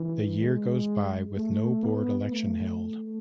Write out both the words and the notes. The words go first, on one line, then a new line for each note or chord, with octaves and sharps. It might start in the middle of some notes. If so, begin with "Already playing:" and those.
The year goes by with no board election held.
Already playing: E3
G#3
A3
B3
A3